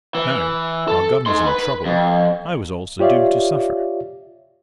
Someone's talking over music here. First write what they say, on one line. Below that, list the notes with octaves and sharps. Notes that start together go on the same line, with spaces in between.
Now, while Gun was in trouble I was also doomed to suffer.
E3
A4
D#4 C6
B4
F2
F4 G4 C#5 D5 E5 F5